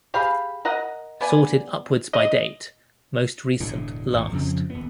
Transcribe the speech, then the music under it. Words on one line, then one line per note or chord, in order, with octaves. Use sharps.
Sorted upwards by date, most recent last.
G4 G#4 F5 B5
A#4 D#5 F#5
B3 D5 G#5
D#5
E1 A2 D3
G#1 E2
F2 C#3 F3 C4
D#1 B3